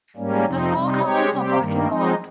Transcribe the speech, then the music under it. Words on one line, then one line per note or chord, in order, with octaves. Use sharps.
The school colors are black and gold.
G#2 G3 A#3 C#4
F2 C3 F3 C4 D#4
C3 G3 C4 D#4
G#3 C4 G4 C#5
C3 G3 C4 G4
G2 D#3 G3 A#3
F3 G#3 C4 D#4